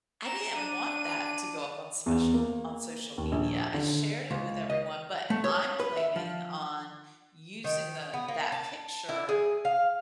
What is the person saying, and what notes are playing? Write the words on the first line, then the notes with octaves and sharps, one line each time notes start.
I didn't want that to go up on special on social media. I shared it with everyone, but I'm planning on using the that picture.
A#5 E7
D4 D#7
E2
A#3
D#2
A#1
D3
C#2
D#5
A3
C#5
B4
E5
F3
D#3
B3
A#3
A5
E4
G#4
F5